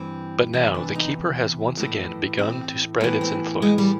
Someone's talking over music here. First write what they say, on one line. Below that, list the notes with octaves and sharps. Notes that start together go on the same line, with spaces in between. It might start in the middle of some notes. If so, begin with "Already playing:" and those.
But now, the Keeper has once again begun to spread its influence.
Already playing: G2 E3 C4
E2 C3 E3 D4
D4
D#4
A2 E3
C4
A2 E3 B3
C4
G#3
G3